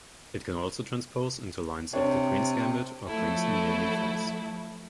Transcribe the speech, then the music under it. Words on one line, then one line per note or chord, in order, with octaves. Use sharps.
It can also transpose into lines of the Queen's Gambit or Queen's Indian Defence.
C3 D4 C#5
F3 F#3 A3 E4 A4